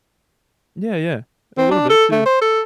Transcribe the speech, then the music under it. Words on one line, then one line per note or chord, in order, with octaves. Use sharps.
Yeah, yeah. A little bit too.
C4
D4
A4
A3
C5
A4